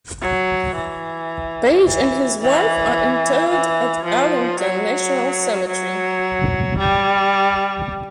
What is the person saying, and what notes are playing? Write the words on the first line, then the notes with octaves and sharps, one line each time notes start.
Paige and his wife are interred at Arlington National Cemetery.
F#3
E3
E3
E3
E3
F3
F#3
F#3
G3